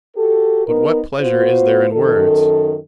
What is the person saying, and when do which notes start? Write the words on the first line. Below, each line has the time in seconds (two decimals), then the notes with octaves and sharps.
But what pleasure is there in words?
0.17 F#4 G4 A4
0.67 B3 D#4 A#4
1.21 B3 F4 F#4 C5
1.93 F#2 D#3 A4